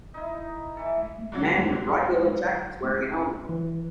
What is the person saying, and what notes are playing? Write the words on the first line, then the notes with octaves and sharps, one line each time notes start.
A man in a bright yellow jacket is wearing a helmet.
D#4 E4
E3 A4
G#2 D3 F#3
E3